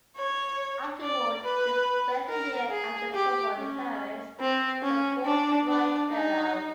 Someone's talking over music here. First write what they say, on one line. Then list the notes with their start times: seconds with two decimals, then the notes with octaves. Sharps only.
Afterward, he spent a year at the Sorbonne, in Paris, as a Fulbright Fellow.
0.16 C#5
1.01 D5
1.43 B4
2.28 A#4
2.70 G#4
3.13 G4
3.56 C#4
4.40 C4
4.83 C#4
5.25 D4
5.67 D4
6.10 D#4